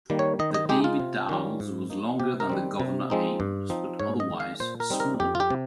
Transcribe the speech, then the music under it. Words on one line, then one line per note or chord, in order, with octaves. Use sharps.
The "David Dows" was longer than the "Governor Ames" but otherwise smaller.
D#3 G3 A#3
C#5
D#3 D#5
D#5
G#3 D#4 G4
F4
C3
D#3 G3 C#4
G#2
F3 A#3 D#4
C3 G4
A#4
D#3 G3 C4
C3
F3 G#3 C4 D#4
G2
F3 C4 D#4
G#2 C#5
D#5
D#3 G#3
F5
A#2 C5
A#4
G3 C4 D#4
A#4
F2 G4
F4
G4
C3